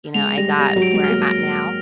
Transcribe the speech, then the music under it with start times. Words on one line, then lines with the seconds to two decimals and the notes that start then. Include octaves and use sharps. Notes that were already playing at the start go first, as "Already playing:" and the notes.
you know, I got where I'm at now,
0.14 G#3 F7
0.37 G3 A#6
0.59 G3 A#6
0.76 F#3
0.82 D7
0.93 G#3
1.04 F6
1.09 A#3
1.26 A#6